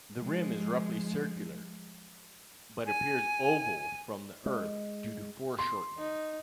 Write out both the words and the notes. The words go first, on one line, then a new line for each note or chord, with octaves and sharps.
The rim is roughly circular, but appears oval from the Earth due to foreshortening.
F3 G#3
G#5
G#3
C6
D#4